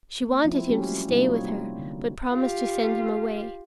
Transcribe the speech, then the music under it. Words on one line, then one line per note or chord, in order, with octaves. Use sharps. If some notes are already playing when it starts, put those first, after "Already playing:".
She wanted him to stay with her but promised to send him away.
A#3
F3 C4 E4 F4
F#3 G3 A3 C#4 G4
C3 G3 A#3 D#4 E4 F#4
G3 C4 C#5
D3
F4 G4